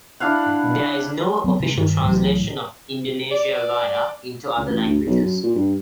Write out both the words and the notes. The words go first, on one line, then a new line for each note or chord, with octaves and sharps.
There is no official translation of "Indonesia Raya" into other languages.
D4 E4 F5 F#5
F#3 B3 C4
C3 G#3
G2 D#3 G#3
C2 A2 E3 F#3
D5
C#2
A1
D2
B1
F#2
A#2
G2